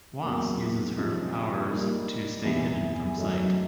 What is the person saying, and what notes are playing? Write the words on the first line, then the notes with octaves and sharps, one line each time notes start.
Wasp uses her powers to stay hidden from sight.
E2 C#3 F#3 A#3
C3 F3 G#3 C#4
G3 A#3 D#4
E2 C3 E3
F#2 D#3 F#3 A3